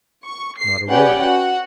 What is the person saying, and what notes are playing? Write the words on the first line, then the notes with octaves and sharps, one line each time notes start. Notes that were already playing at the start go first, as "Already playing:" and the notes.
"Not a word."
C#6
C7
C#4 G4 B4 D5 F#5 G5
F#4 F#5